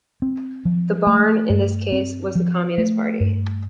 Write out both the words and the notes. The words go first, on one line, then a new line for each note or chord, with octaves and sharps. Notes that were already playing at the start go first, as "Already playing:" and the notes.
The barn in this case was the Communist Party.
C4
F3
A3
G2
C4
F3
A3
G2